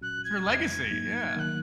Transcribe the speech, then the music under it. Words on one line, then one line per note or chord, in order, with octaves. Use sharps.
It's her legacy, yeah.
A#2 F#3 C#4 F#4 F#6
G#6
F2 C#3 G#3
G#2 F#3 A#3 D#4
D#3 F#3 A#3 D#4 F#6 G#6